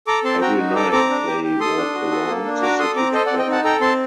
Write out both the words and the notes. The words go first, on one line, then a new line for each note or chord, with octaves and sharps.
Every night they walk around the city together.
A4 A#5 D6
C4 A5 C6
F#4 G5 A#5
D#4
A4 A#5 D6
C4 A#5 D6
D4
G4
G4
A4 C6 D#6
D4
F#4
A4
A#3
D4
F#4 A#5 D6
A4 C6 D#6
C4 A#5 D6
A4 C5 D#5
D5 F#5
C4
D#5 G5
D#4 F#5 A5
A4 G5 A#5
C4 A5 C6